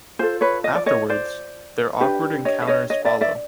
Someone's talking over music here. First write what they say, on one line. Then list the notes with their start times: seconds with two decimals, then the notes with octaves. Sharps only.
Afterwards, their awkward encounters follow.
0.19 F4 A4 C5
0.41 B4 C#5
0.64 D#5
0.75 D5
0.86 C#5 D#5
1.09 C5 D5
2.01 D4 G4 B4
2.45 C#5 D#5
2.62 E5
2.67 C#5 D#5
2.90 C#5 D#5
3.05 D5 E5
3.21 D5 E5